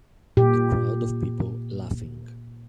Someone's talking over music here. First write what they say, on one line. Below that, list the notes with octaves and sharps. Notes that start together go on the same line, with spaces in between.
A crowd of people laughing.
A#2 G4